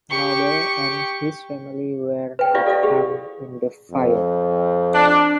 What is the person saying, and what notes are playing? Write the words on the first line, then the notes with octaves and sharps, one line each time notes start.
Noble and his family were not harmed in the fire.
G4 C#6
B4 G5
E4 F4 G4 D5 F5
A4 D5 F5 F#5
G4 G#4
F2
D4